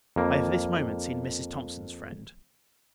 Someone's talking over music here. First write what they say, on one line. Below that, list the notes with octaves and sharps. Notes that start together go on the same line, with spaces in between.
I have this moment seen Mrs. Thomson's friend.
F2 A#3